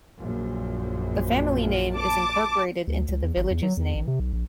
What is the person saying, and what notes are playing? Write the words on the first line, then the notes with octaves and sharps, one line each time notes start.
The family name is incorporated into the village's name.
A#1 F#2 A#2
A5 D6
D2
C#2
E2
G#1
E2
F#3
E2
A1
C3
B1
A#1